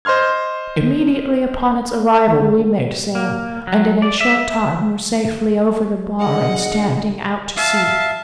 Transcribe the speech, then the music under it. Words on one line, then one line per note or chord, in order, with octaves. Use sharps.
Immediately upon its arrival we made sail, and in a short time were safely over the bar and standing out to sea.
C5 D#5 C6 F6 G#6
A#3
F#3
D5
E5
A#2 C#3 D4 F4 G#4 D#5 F#5
E5 F5 A5